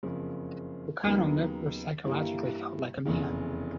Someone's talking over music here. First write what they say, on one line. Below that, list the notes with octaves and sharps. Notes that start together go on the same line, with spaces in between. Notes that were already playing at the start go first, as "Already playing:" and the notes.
O'Connell never psychologically felt like a man.
F#1 F2 C#3 F3
D#2 C#3 F#3 B3 D#4
G2 E3 G3 A#3
F1 E2 C#3